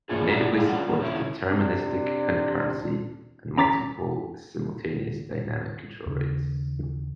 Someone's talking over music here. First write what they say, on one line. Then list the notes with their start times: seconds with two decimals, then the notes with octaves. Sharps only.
It natively supports deterministic concurrency and multiple, simultaneous, dynamic control rates.
0.09 A3 A#3 C#4 D4 F4 G#4
0.31 D4 E4 D5 F#5 A#5
0.53 G#3 A3 G#4 F5
0.67 G3 C#4 D4 F4 F#5
0.88 A#2 D#3 G3
1.00 D3 C#4 E4
1.48 C3 D4
3.57 C#4 A#5 D6 A6 B6
6.06 D#2 C#3 D4